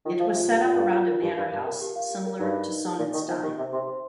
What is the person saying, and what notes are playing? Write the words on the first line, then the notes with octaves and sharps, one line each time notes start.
It was set up around a manor house similar to Sonnenstein.
D#3 F4
F3 F5
C3 F4
G2 A#4
A#2 F4
G2 F5
F4
A#4
G2 G4
G2 F5
G2 G4
A#4
G4
F5
G4
A#4
G2 D#4
D#5
D#4
G4
A#2 D#4
D#3 D#5
F3 D#4
D#3 G4
C3 C5
C3 C6
C5